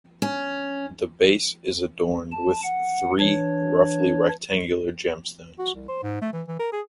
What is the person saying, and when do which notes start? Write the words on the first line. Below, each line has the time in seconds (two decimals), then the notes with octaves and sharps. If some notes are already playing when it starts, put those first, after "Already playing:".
The base is adorned with three roughly rectangular gemstones.
0.22 C#4
2.32 A5
2.63 F#5
3.20 E3 D4 C#5
5.59 F#4
5.75 C2
5.88 C5
6.03 G#2
6.22 A3
6.33 E3
6.48 E3
6.59 A#4
6.73 G#4